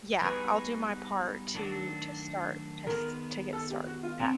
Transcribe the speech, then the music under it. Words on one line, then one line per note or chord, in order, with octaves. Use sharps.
Yeah. I'll do my part to to start, to s to get start that.
G3 B3 D#4 G#4 B4 C#5
D#3 F#3 A3 D4 F#4
D#3 G#3 B3 A#4
A4
G4
F#4
F4
D3 F#3 B3 C4